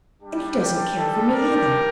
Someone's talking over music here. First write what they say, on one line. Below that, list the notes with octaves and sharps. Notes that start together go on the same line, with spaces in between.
And he doesn't care for me either.
G3 D4 G4
A4
G4 A#4